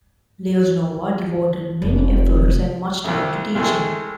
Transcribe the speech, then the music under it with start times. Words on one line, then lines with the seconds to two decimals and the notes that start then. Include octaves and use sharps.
Lioznova devoted many efforts and much time to teaching.
1.82 F1
3.04 C2 F2
3.55 C2 G#3 A3